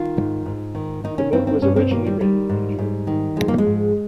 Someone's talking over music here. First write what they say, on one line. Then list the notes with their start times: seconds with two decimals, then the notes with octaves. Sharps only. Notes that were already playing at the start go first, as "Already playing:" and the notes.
The book was originally written in German.
Already playing: D#3 F4
0.17 G#2
0.46 G#2
0.75 D#3
1.04 D#3 D#4
1.18 C#4
1.33 G2 C4
1.47 C4
1.62 G2 C#4
1.76 C4
1.91 D#3 A#3
2.06 G3
2.20 D#3 G3
2.49 G#2
2.79 G#2
3.07 D#3
3.36 F3 G#3
3.48 A#3
3.58 G#3
3.66 G#2